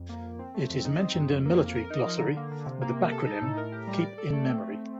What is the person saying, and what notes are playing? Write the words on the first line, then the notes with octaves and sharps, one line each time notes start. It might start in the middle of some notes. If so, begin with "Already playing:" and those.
It is mentioned in a military glossary with the backronym "Keep In Memory".
Already playing: F2
A#3
F2
C4
A3
F2
D#4
C4
G2
F2
A#3
F2
A#4
D#4
F3
D3
A#3
D3
C3
A#3
C3
A4
D#4
A2
A#4
G4
G3
D5
A4
A3
C4
A3